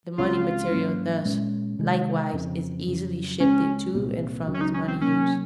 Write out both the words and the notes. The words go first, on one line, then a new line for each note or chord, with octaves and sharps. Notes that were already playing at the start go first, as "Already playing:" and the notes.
The money material thus, likewise, is easily shifted to and from its money use.
C#2 C#3 G#3 C4 F4
G#2 F#3 A#3 C#4
A#2 G#3 C#4
C3 D#3 G#3
F2 C#3 F3 C4
F2 C#3 F#3
C#2 C#3 G#3 C#4
C2 A#2 G#3 C4
C#2 C#3 F#3
C#4
D#4
C#4
C4
C3 F#3 A#3 C#4